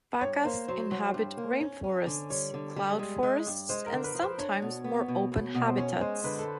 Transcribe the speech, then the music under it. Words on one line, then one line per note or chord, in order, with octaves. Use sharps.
Pacas inhabit rainforests, cloud forests, and sometimes more open habitats.
G2 C#5
A#3 C5
F#3 C5
F#3
G2
A#3
C#4
C#4
D3
G3 C#5
D3
G3
G#3
G#3
G2
G#3 C5
A#4
D3
B4
F3
C5
D4 C#5
B2
B3
B2
B2
B2
C5
C#4 C#5
G#3 C5
D3 B4
A4